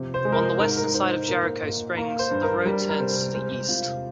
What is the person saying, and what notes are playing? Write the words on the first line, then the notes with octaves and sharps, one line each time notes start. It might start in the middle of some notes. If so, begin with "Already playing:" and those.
On the western side of Jerico Springs, the road turns to the east.
Already playing: C3 F3
C5
G#3
A#4
C5
G#2 A#4
A#4
G#2 C5
C5
A#2 A#4
C5
A#4
A#2
A#3 A#4
C5
G2
A#4
G3 A#4
A#4
C3 C5
G#3 C5
C3 F4